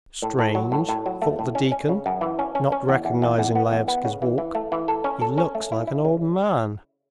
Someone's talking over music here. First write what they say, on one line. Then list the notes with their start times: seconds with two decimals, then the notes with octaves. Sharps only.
"Strange," thought the deacon, not recognising Laevsky's walk; "he looks like an old man. . . ."
0.22 A2
0.39 A2
0.55 F#3
0.72 A2
0.89 A2
1.06 F#3
1.22 A3
1.39 A2
1.55 C#4
1.72 C#4
1.89 C#3
2.06 F#2
2.21 E3
2.39 C#4
2.55 C#4
2.72 C#4
2.89 E2
3.05 E2
3.22 E2
3.38 E2
3.55 B3
3.72 E2
3.88 B3
4.05 C#3
4.22 E3
4.38 E3
4.55 A3
4.72 E3
4.88 A4
5.04 C#4
5.21 A4
5.38 C#4
5.55 A3
5.72 E4
5.87 E4
6.05 C#3